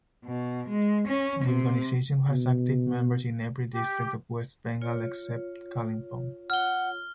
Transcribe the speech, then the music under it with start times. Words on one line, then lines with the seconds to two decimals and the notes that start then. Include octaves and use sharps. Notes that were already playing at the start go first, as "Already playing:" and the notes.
The organisation has active members in every district of West Bengal except Kalimpong.
0.25 B2
0.69 G#3
1.08 C#4
1.45 C3
2.29 B2
3.72 G4
4.82 F4 C#5
6.50 F#5 F6 G7